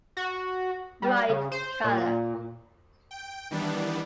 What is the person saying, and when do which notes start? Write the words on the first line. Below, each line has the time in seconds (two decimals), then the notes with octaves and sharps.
Bright color.
0.17 F#4
1.02 G3
1.29 C#3
1.52 C5
1.84 A#2
3.11 G5
3.51 D#3 E3 G3 B3 D4